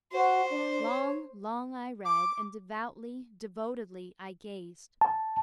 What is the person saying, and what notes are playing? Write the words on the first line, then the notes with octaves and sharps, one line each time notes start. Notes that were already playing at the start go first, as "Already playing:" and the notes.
Long--long I read--and devoutly, devotedly I gazed.
F#4 C5
D4
C#5
D6
A5